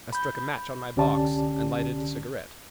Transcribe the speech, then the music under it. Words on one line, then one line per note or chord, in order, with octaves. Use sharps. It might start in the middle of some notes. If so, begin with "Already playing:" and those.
I struck a match on my box and lighted a cigarette.
B5 G6
C2 D3 C#4 G4 D5 A5